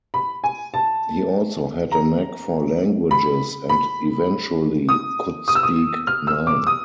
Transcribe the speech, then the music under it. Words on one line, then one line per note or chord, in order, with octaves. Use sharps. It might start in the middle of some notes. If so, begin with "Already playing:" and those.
He also had a knack for languages, and eventually could speak nine.
B5
G#5
A5
A#5
B5
B5
D#6
D#6
E6
D#6
F6
E6
D6
D#6